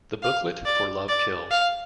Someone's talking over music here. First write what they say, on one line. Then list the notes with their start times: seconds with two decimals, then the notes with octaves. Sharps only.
The booklet for Love Kills!
0.23 F5
0.65 D5
1.08 D5
1.50 F5